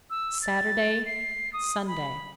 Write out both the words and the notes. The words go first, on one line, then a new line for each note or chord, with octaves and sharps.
Saturday, Sunday.
E6
A6
C7
D#6
B5